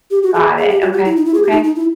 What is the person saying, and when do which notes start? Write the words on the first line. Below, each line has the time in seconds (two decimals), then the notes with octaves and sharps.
Got it, okay. Okay.
0.11 G4
0.23 F#4
0.34 G#4
0.58 G#4
0.70 G4
0.81 F#4
0.93 G4
1.05 E4
1.16 D#4
1.25 E4
1.34 G#4
1.43 G4
1.52 D#4
1.64 D#4
1.75 E4